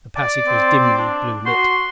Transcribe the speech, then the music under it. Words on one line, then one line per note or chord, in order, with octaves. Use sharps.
The passage was dimly blue lit.
D5
C4
D4
F#4 C6